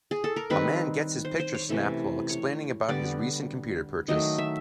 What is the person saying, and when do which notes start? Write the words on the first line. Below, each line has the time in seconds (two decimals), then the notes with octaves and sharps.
A man gets his picture snapped while explaining about his recent computer purchase.
0.11 G#4
0.24 A4
0.36 A#4
0.50 D#3 G3 C4 B4
1.25 C5
1.39 C5
1.55 C#5
1.69 C3 E3 A3 C#4
2.29 C#5
2.89 D3 G3 B3 D5
4.08 D#3 F#3 A3 D#5
4.38 E5